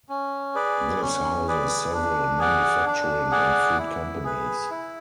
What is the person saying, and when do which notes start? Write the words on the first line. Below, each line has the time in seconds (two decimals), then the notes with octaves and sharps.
This houses several manufacturing and food companies.
0.09 C#4
0.55 G#4 B4 D5
1.01 C#4
1.48 G#4 B4 D5
1.93 D4
2.39 G#4 D5 F#5
2.86 D4
3.31 G#4 D5 F#5
3.78 E4
4.24 G#4 B4
4.70 E4